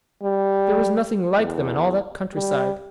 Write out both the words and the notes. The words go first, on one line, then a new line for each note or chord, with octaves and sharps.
There was nothing like them in all that countryside.
G3
E2
G3